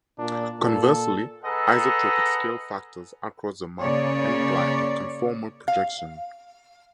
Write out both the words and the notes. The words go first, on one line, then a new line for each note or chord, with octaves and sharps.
Conversely isotropic scale factors across the map imply a conformal projection.
A#2 D4
A#2 A4
G#4 A4 B4 D#5 F#5 A#5
C#3 A#3 C#5 D5
F5